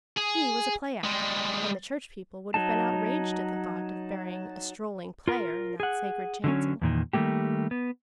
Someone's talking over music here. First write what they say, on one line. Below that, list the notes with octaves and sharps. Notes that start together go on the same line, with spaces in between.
He was a play-actor, and the church people would have been outraged at the thought of burying a "strolling player" in that sacred chancel.
G#4
G3 G#3
F#3 D#4 A5
F4 A#4
G#4 F#5
D3 F#3 C#4
E2 A#2 D#3
D#3 G3 A3 A#3 G4
B3